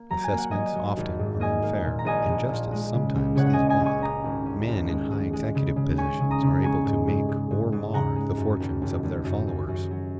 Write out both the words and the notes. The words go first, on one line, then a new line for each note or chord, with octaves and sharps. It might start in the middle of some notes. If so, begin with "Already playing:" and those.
Assessments often are unfair, and justice sometimes is bought. Men in high executive positions are able to make or mar the fortunes of their followers.
Already playing: A#3
F#3 A#5
G#5
A#3
F#5
F#3 D#5 G#5
F#3
G#1
G#2
A#3 D#5 G#5
A#3
A#2
A#5
A#1 D#5 G#5
A#1
A#2
G#3
C#3
C#2
C#3 C#5 F#5
F#5
D#5 G#5
C#3
D#5 G#5
C#2
G#5 C#6
C#4 A#5 D#6
G#1
C#4
G#1
G#3
G#3
G#3
C#3
C#3
C#4 G#5 C#6
C#3
A#5 D#6
C#3
G#3 G#5 C#6
G#2
G#2
G#2
G#2
G#2
C#3 F#5 A#5
G#3
F#2
G#1
G#1
G#1
F#2
F#2
F#2
F#3